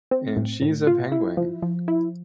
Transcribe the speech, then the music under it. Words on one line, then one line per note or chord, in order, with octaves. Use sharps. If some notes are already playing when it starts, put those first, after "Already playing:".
And she's a penguin!
C4
A2
A2
F4
E4
F3
F3
E4